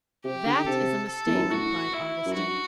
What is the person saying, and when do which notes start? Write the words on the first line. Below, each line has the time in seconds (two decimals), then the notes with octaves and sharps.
"That is a mistake," replied Augustine.
0.24 C3 G4
0.46 D3
0.58 D3
0.67 C3 A4
1.09 A4
1.27 E2
1.34 F#2
1.43 G2
1.51 A2 F#4
1.94 E4
2.25 F#2
2.34 G2 F#4